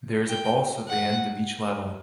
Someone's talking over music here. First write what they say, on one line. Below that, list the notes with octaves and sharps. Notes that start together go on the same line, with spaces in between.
There is a boss at the end of each level.
G5
F#5